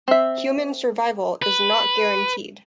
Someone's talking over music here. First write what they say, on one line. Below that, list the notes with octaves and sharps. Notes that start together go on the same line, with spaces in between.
Human survival is not guaranteed.
C4 E5
B4